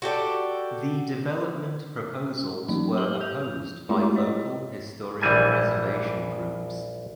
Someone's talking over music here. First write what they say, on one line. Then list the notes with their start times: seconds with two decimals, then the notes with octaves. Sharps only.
The development proposals were opposed by local historic preservation groups.
0.02 F#4 G4 A4 D5
2.68 E3 F#3 A#3 C#4 D#4
2.97 G4 B4 E6 F#7 G7
3.21 G6 F7
3.89 G#3 A3 E4 F4 G4 G#4
4.16 C#5 D#5
5.21 A#1 E3 G3 G#5